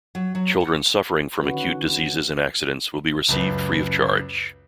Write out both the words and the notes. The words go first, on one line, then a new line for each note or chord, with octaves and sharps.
Children suffering from Acute Diseases and Accidents will be received free of charge.
F#3
F#3
F#5
D3 D#3 C#4 F#4 B4
C#2 F#2 B4